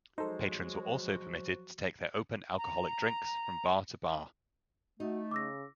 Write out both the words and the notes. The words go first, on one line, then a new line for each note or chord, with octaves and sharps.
Patrons were also permitted to take their open alcoholic drinks from bar to bar.
F3 F#3 G#3 D#4 F#4 A4 C5
A#5
A3 D#4 F#4
C#3 D6 E6 A#6